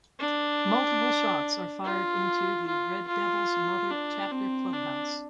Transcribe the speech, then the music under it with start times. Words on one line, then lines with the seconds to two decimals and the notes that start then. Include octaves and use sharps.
Multiple shots are fired into the Red Devils Mother chapter clubhouse.
0.19 D4
1.84 F4
2.67 F4
3.08 F4
3.90 D4
4.32 C4
4.73 D4